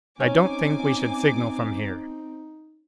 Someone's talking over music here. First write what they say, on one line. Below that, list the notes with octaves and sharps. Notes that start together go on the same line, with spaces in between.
"I don't think we should signal from here."
C4 C#4 D#4 G#5 D6